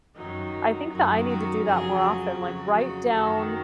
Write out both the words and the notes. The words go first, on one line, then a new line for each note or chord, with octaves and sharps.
I think that I need to do that more often, like write down
F#2 D#3 F#3 D#4
F#2 D#3 F#3 F#4
F#4
F2 C#3 F#3 G#4
F#4
F2 C#3 F#3
F#4
F#2 D#3 F#3